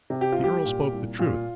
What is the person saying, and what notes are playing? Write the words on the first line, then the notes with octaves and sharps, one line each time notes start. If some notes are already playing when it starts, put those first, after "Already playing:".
The earl spoke the truth.
C3
G4
F4
C2
G4
A#2
C2
A#2 F4